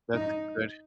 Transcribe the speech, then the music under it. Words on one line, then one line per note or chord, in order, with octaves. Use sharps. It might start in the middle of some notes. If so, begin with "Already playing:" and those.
That's good.
D#4